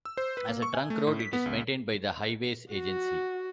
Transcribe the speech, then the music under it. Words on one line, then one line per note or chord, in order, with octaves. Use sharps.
As a trunk road it is maintained by the Highways Agency.
E6
C5
B4
A#3
C#6
G#5
A3
A2
B6
B3
C#2
F#4